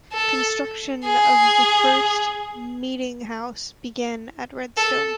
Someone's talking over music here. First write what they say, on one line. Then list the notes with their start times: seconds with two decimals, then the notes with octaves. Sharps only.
Construction of the first meetinghouse began at Redstone.
0.13 A4
1.06 G#4
4.77 A4